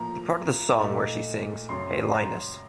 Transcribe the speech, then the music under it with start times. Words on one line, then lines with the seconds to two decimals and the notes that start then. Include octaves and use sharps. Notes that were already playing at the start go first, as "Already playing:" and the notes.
The part of the song where she sings Hey Linus...!
Already playing: A2 F3 A#3 A#5
0.78 A#2 A3 D#4
1.69 F#2 C#3 F#3 C4 C6
2.13 A#5